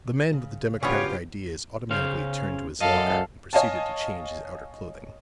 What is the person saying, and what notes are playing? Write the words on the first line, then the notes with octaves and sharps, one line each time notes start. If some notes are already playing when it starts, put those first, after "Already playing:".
The man with the democratic ideas automatically turned to his locker, and proceeded to change his outer clothing.
C#3
C#3 F#3 B3 C#4 D4 F4 G4 C#5
C#3 C#4 C5 F5
F#2 A4 D#5 F5
C#5 D#5 F5 G#5 A5